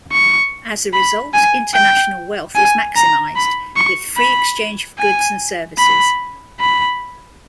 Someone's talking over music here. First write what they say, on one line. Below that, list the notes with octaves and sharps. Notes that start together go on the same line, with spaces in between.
As a result, international wealth is maximized with free exchange of goods and services.
C#6
B5
G#5
G5
G#5
A#5
B5
C#6
B5
G#5
B5
B5